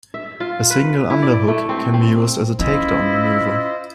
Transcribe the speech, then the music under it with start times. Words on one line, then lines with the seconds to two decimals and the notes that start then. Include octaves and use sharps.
A single underhook can be used as a takedown maneuver.
0.14 E5
0.40 F4
0.70 B4
1.10 E4
1.22 D5
1.48 A3
1.69 C4
1.94 C4
2.59 C#4 E4 F4 C5 D#5